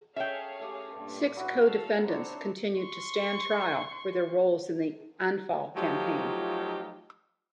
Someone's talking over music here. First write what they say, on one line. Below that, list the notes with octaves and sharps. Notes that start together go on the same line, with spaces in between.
Six co-defendants continued to stand trial for their roles in the Anfal campaign.
C#4 G#4 A4 C#5 E5 F5 G5
A3 G4
G2 A#2
F#3 E4 F#4
A4 F5
C4 D4 C5 C#5 A#5
C6 C#6
F3 F#3 A3 D#4 F4 G4